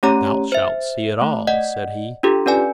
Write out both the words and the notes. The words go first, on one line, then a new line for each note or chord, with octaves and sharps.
"Thou shalt see it all," said he.
A3 C#4 G4 C#5 A#5
C5 E5
A3
D5 D#5 F#5
D4 F4 G4 A4
C#4 B4 D5 G#5